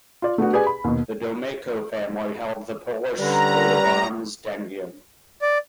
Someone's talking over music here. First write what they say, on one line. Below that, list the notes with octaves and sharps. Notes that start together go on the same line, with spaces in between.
The Domeyko family held the Polish coat of arms "Dangiel".
F4 D5
A3 B3 D4 F#4
G4 G#4 B4 D5 G#5
B5
D#2 B2
D3 G3 C#4 B4 A#5
D5